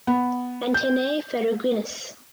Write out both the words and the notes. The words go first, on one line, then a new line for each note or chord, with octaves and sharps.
Antennae ferruginous.
B3
G6